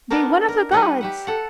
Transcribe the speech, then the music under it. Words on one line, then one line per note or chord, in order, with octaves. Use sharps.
Be one of the gods.
B3 D4 D#4 A#4
A#4
G3 D#4 B4 D#5 F#5
G4 E5 F#5
A4 F#5